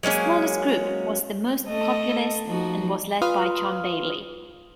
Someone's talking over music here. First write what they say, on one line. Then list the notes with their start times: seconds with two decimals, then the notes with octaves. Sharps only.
The smallest group was the most populist and was led by John Bailey.
0.03 F#3 G#3 A#3 C#4
1.68 A3 A4 D#5
2.47 F3 D#4 F#4
3.22 F4 B4 F5 C6 D#6 F6